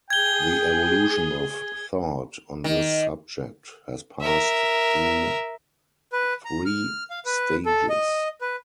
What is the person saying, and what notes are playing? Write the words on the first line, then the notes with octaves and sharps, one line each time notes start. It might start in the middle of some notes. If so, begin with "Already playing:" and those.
The evolution of thought on this subject has passed through three stages.
G#4 G5 G#6 G7
D#3
A#4 E5
B4
A#5
F6
F5
B4
A4
D#5
B4